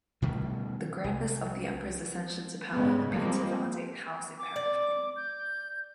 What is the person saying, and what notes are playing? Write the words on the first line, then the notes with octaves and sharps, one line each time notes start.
The grandness of the emperor's ascension to power appeared to validate Howell's imperative claim.
B2 D#3 G3 A3
C2
G#2 C#3 G3 G#3 B3
F3 G3 G#3 A#3 C4
D6
D5
G6